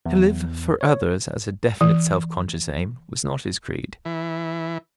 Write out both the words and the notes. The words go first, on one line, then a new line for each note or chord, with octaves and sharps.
To live for others as a definite self-conscious aim was not his creed.
E2
C#5
E3
E3